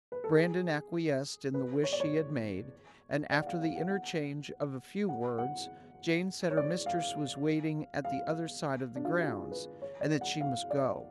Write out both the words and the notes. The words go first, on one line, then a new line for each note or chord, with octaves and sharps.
Brandon acquiesced in the wish she had made, and, after the interchange of a few words, Jane said her mistress was waiting at the other side of the grounds, and that she must go.
B4
A4
G#4
B4
C#5
D5
C#5
D5
F#5
F5
F5
F#5
F#5
F#5
F#5
C#5
D5
F5
F5
D4
F4
F#4
G#4
B4
C#5
D5
F#5
F5
D5